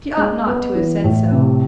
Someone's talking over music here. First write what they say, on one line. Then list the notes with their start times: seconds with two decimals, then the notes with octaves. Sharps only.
She ought not to have said so.
0.17 G#3
0.46 B3
0.75 E3
1.04 A2
1.32 C3